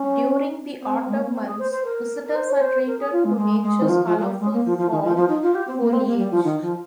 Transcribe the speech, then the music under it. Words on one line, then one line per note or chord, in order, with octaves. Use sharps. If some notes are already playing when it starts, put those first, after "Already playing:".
During the autumn months, visitors are treated to nature's colorful fall foliage.
Already playing: C#4
C4
C4
G#3
A#3
C4
G#4
C5
C5
A#4
A#4
C5
C#5
C5
A#4
G#4
F4
G#3
G#3
G#3
D#3
F3
F3
G#3
G3
G#3
A#3
F3
F3
D#3
F3
F3
D#4
F4
G4
C4
A#3
C4
A#3
G3
F3
D#3
F3